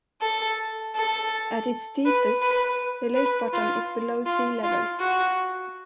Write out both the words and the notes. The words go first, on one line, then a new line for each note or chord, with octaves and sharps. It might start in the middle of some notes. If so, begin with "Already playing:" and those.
At its deepest, the lake bottom is below sea level.
A4
A4
B4
B4
B4
F4
F4
F4
F#4